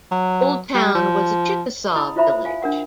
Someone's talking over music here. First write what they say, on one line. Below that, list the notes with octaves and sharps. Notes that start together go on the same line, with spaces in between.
Old Town was a Chickasaw village.
F#3
G3
F3
E4 D#5 B5 D#6
E4 F4 C5 E5 A#5 B5
C5
F5 G#5
D4 A#4 F#5